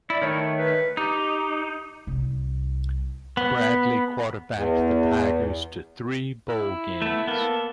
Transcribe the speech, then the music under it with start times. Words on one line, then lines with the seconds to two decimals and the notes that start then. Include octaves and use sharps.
Bradley quarterbacked the Tigers to three bowl games.
0.10 E4 D5
0.21 D#3 A3 C#5
0.58 B4
0.97 D#4 G4
2.07 C2
3.37 B3
4.55 E2
6.48 E4
7.02 A3 B3
7.27 A#3 B3 A4